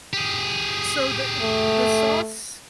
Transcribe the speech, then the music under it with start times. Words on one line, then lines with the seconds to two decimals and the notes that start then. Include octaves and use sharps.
So, the eh the sauce
0.13 G4 G#4
1.41 A3